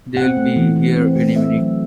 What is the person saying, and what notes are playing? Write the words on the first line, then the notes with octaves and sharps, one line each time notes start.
They'll be here any minute!
C4 F#5
A3
E3
E3
C4
A3
C4 E5
F#3